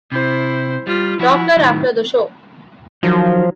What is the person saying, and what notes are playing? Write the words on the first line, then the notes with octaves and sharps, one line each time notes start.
Doctor after the show.
C3 E4 C5
G3 F4
F3 E4 F#4
A2 D#3 F#3
D#3 F3 F#3